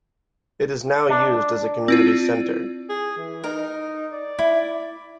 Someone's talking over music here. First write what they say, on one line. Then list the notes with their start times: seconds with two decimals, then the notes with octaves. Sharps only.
It is now used as a community center.
1.09 D4
1.88 C4 E4 F4
2.89 G#4
3.17 E3
3.44 D#4 A#4
4.12 D5
4.39 E4